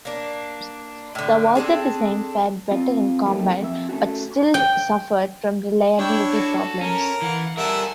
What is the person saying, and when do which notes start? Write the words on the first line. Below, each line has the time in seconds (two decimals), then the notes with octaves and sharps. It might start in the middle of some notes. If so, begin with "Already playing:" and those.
The Walther design fared better in combat but still suffered from reliability problems.
0.05 A#3 D4
1.15 A2 D3
1.55 C4 D4 G#4 A4
2.71 C4 F4
3.25 F#3 A3 A#3 C4 D#4 G4
3.60 F2 F#4 E5
3.89 A3 C#4 F#4
4.54 G5
5.99 D4 E4 C#5 G5
6.31 F#4 A4
6.81 C#4 A#4
7.22 E3 F5 F#5
7.57 G3 A4 A#4 E5 F#5 G#5